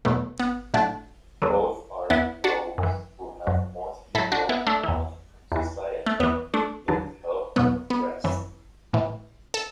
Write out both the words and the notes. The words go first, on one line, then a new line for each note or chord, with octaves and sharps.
Both are rogues who have mostly broken off from society, yet help the oppressed.
E2 B2 F#3 A3
B3
A2 F#3 A3 D4
E2 D3 F#3
E2 E3 B3 E4
D4 F#4
F#2
E3
F#2 F#3
A2 F#3 E4 A4
D4 F#4
B3 E4
A3 D4
E2 E3
E2 E3
A3
E2 E3 B3
A3 D4
E2 D3 F#3
E2 B2 F#3 B3
B3
F#2 E3
A2 E3
A4